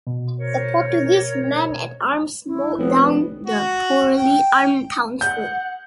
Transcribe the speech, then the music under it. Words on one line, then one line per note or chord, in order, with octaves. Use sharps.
The Portuguese men-at-arms mowed down the poorly armed townsfolk.
B2
A#4 C5 C#5
E4
F1 B3
F#4
G5
F#5 G6